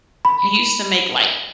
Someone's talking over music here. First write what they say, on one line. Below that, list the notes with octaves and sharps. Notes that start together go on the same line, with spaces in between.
He used to make, like
B5